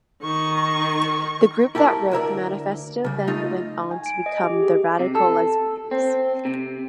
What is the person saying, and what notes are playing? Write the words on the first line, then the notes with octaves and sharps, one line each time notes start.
The group that wrote the manifesto then went on to become the Radicalesbians.
D#3 C#6
E4 G4 A4 A#4
D2 E4 A#4 D5
C#3 G3
A3 D#4 F4 D#5
G#5
D7
D#5
G4
G#4
C3
A4
C4
C3